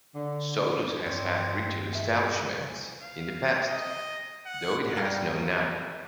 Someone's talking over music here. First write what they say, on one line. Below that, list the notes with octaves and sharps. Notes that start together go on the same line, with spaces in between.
Sodus has had retail establishments in the past, though it has none now.
D3
D5
G2 C4 C#5
A3 G#4 E5 G#5
F5
D#5
F#5
G3 G#3 A#4 F5 G5